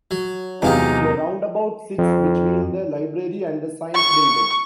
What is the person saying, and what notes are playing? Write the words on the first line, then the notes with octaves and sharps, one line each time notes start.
A roundabout sits between the library and the science building.
F#3
E2 C3 F#3 G#3 D#4 F4 G4
F2
C#6